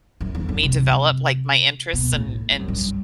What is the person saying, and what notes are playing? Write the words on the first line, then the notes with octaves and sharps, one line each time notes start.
me develop like my interests and and
F#2
E2
F#2
C3
B2
A2
G2
F#2
G2